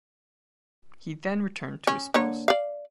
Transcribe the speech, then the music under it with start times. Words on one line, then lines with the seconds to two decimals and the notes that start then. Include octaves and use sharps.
He then returned to his post.
1.87 C#4
2.14 D3 A#3 C#5
2.48 D5 F5